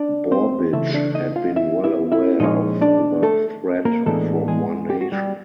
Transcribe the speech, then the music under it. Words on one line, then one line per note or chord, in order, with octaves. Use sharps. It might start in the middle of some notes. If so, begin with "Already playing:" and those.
Borbidge had been well aware of the threat from One Nation.
Already playing: D4 D5
C4 C5
C#3 E3 A3 E4 E5
D4 D5
D#4 D#5
F4 F5
E4 E5
E4 E5
E4 E5
A#2 F3 G#3 C#4 D#4 D#5
D4 D5
A3 A4
A#3 A#4
A2 E3 G#3 A3 B3 D4 A4
G#3 G#4
G4
F#4
G3 G4